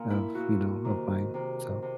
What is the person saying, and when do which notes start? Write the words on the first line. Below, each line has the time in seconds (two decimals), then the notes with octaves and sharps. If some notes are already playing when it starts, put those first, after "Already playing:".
of, you know, of mine, so
Already playing: A#2
0.10 E4
0.35 A#2 F#4
0.85 C3 D#3
1.34 C3 D#3
1.82 C3